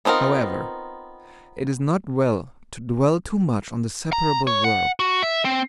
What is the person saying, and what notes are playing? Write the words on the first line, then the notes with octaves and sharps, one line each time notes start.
However, it is not well to dwell too much on the separable verbs.
B3 C4 D#4 F4 A#4
A#5
C#5
F#5
F#4
E5
C4